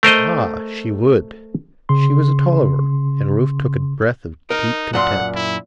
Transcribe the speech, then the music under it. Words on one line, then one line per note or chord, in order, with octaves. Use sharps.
Ah, she would--she was a Tolliver and Rufe took a breath of deep content.
A3 A#4 C5 D#5
C#3 C6
D#4 A#4
F#2 A#2 F#5 C6
E4